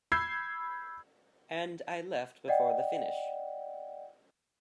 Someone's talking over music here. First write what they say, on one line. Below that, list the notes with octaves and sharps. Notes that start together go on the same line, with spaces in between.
And I left before the finish.
B5 E6 G6 G#6 C7
D5 D#5 F#5 G5